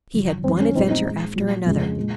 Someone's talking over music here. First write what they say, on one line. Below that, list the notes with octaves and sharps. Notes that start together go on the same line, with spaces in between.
He had one adventure after another.
F#2 C#3 F3
F#2 D#3 G#3 C4
C#4
A#2 F3 G#3 C4 D#4
C4 D#4
A#2 G#3
A#2 F#3
F2 C#3 G#3
A#2 G#3